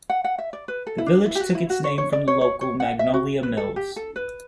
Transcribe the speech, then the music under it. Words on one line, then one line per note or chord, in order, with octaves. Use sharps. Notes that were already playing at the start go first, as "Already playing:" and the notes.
The village took its name from the local Magnolia Mills.
F#5
F#5
E5
D5
B4
A4
E4
D4
E4
G4
F#4
E4
F#4
C#5
C#5
D5
C#5
C#5
C#5
F#5
E5
F#4
B4
A4
G4
A4
B4